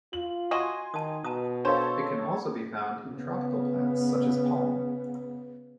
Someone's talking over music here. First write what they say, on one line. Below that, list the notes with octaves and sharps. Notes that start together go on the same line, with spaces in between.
It can also be found in tropical plants such as palm.
F4 F#7
F#4 D#5 G#5 C6
D#3 A5 D#6
B2 A5 A#5 D#6
D4 A4 C5 C#5 F5
C#3 B3